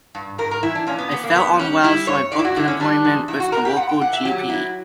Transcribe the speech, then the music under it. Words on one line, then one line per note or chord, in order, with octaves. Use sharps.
I felt unwell so I booked an appointment with the local G P.
G2
G2 A#4
A#4
E3 E4
D4
A#2 C#4
B3
A#2 B3
A#3
G3 B3
G3 C#4
G3 E4
G2 C#5
G2 D5
E4
F#4
D3 E4
C#4
G3 D4
E2
E2 E4
F#4
B2 A#4
G4
A#2 F#5
G5
A#2 F#5
E5
F#3 G4
F#3 E4